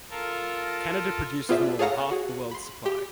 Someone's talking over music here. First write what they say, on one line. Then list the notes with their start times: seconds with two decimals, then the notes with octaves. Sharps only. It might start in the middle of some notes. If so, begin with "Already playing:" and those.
Canada produces more than half the world's supply.
0.10 F4 A4 A#4
1.49 B3 F4 G#4 C5 D5 E5
1.79 G#4 A4 C#5 F5 F#5 A#5
2.11 F#4 G#4
2.51 B5 C6
2.86 G4